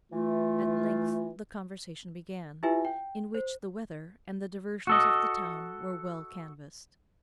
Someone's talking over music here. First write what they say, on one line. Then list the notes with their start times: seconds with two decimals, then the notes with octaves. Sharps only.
At length the conversation began, in which the weather and the diversions of the town were well canvassed.
0.13 E3 A3 F4
2.63 E4 F4 G4 B4 E5 G#5
2.85 G5
3.35 C5
4.87 F#4 A4 D#5